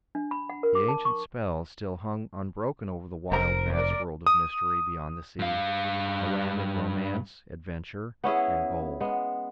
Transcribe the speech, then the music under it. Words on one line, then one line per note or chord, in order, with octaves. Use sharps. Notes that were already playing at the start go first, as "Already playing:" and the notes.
The ancient spell still hung unbroken over the wild, vast world of mystery beyond the sea,--a land of romance, adventure, and gold.
D4
B5
F#5
A#4
D6
A5
C#6
F1 A#4 C5 A#5
A#4 D5
D#6
G2 F5
B3 C#4 E4 G#4
G#3 B3